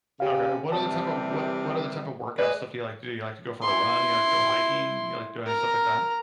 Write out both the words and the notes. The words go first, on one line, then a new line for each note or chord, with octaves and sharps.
Okay. What other type of what what other type of workout stuff do you like to do? You like to go for a run, you like to go hiking, you like doing stuff like that?
C#3 G4 F5
C3 E3 G3 A5
G#3 B4 D5 D#5
E4 C6
A#4 A#5